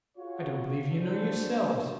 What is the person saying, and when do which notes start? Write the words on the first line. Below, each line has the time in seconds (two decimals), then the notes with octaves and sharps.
I don't believe you know yourselves.
0.17 F4 F#4 G#4 C#5
0.90 G#3 D4 F#4 A4 C5